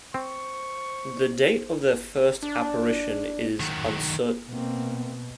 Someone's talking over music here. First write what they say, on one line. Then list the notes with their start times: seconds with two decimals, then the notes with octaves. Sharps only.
The date of their first apparition is uncertain.
0.14 C4 C5 C#6
2.43 D4
3.60 D#3 F#3
4.49 B2 A#3 C4